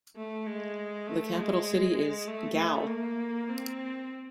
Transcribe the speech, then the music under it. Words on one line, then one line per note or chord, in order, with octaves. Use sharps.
The capital city is Gao.
A3
G#3
A3
G#3
G#3
A3
A3
A#3
C4